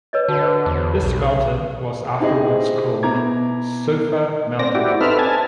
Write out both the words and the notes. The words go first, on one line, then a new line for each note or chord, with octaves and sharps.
This mountain was afterwards called Sofa Mountain.
B4 C#5 D#5
D3 F#4 A5
B4 C5
E2
B1
C4 D#4 E4 G4 G#4 D#5
B2 E4 A#5 D6 G#6
C4 D5 A#6
E4 F#4 G4 D5
C4 D#4 A4 B4 E5 F6
A4 G#5 A5